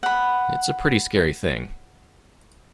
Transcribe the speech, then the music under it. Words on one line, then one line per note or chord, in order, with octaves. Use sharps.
It's a pretty scary thing.
F#5 B5